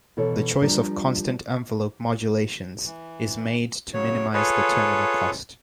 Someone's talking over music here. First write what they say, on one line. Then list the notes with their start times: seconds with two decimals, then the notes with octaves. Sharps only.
The choice of constant envelope modulations is made to minimize the terminal cost.
0.17 B2 D#3 E3 A4 C#5
0.62 F3 G3 D4 A#4
2.85 E3
3.93 C#3 F#3 C#5
4.33 F4 G#4 A4 B4 C#5